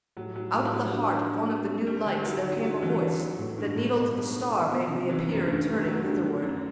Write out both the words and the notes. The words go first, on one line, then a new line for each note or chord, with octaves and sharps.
Out of the heart of one of the new lights There came a voice, that needle to the star Made me appear in turning thitherward.
A2 F#3
F#3
A2 G3
F#3
D4
D4
C4
G3
D3
F#3
D3 G3
F#3
E3 C4
E3
F#3 E4
A2
G2 B4
A2
B2 B4
B4
B2 F#4
C3
E3 C4
F#2
G2 A3
D3
F#3 A3
D3
D3 F#3
F#2